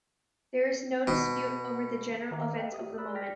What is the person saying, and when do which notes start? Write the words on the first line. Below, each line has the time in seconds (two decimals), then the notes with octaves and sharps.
There is no dispute over the general events of the moment.
1.07 B2
2.31 D#3 A#5 D6
2.55 B4 D#5 F5 G5
2.72 G4 D#6
2.98 A#4 D5 B5 E6 F#6
3.14 D5 G5 F6 A#6 B6